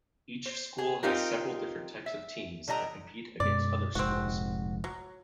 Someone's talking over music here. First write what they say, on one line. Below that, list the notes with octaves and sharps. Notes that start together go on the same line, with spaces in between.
Each school has several different types of teams that compete against other schools.
C5
G#4
C4 D#4 F4 G4 A#4
E5
D3 G3 D#5 A#5
F#2 B2 G#3 D5
F1 A#1 G#2 C4 F#4
F#3